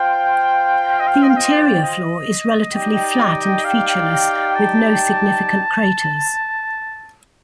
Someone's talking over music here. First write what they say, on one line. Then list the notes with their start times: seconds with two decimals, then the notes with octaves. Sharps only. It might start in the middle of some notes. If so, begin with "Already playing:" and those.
The interior floor is relatively flat and featureless, with no significant craters.
Already playing: F4 C5 F5 G5
0.92 F5
1.00 D#5
1.07 F5
1.23 D#5
1.30 F5
1.37 D#5
1.53 D5
1.83 D#5
2.74 D#4 G4 D5 G5
3.64 F5
4.55 A5